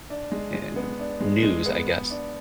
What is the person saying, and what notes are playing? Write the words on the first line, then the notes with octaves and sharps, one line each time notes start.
erm, news, I guess,
D4
G#3
G#3
B3
D4
G#3
G#3
B3
B3
D4